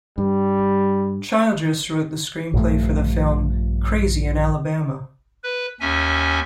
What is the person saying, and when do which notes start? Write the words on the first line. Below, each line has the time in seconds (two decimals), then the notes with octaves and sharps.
Childress wrote the screenplay for the film "Crazy in Alabama".
0.18 G2 G3
2.53 A#1 G2 F3 A3
5.43 B4
5.81 D#2 C#4 E5 G#5